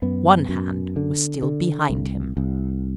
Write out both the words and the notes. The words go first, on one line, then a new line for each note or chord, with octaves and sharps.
One hand was still behind him.
F#2 B3
F#2
D3
D3
C2
C2